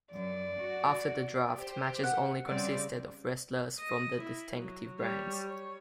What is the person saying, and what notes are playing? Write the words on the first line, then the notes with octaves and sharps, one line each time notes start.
After the draft, matches only consisted of wrestlers from their distinctive brands.
F#2 D5
F#4
G4 C5
F#5
C#3 G3 C4 D5
D#5
E4
F#3
G3 C#5
C#5